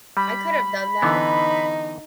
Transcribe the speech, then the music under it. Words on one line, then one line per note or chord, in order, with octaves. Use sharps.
I could have done that.
G3 B5
D3 E3 B3 D#4